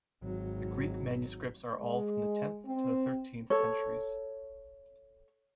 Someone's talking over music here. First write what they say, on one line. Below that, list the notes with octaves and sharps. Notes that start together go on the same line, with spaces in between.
The Greek manuscripts are all from the tenth to the thirteenth centuries.
G#1 F#3
G#3
C4
A4 C#5